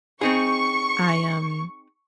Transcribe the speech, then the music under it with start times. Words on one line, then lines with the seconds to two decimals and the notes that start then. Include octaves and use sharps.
I, um
0.21 C4 D#4 G#4 C#6